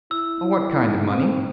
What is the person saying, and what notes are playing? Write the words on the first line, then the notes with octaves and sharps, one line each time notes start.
"What kind of money?"
E4 E6
E4
D#4
C4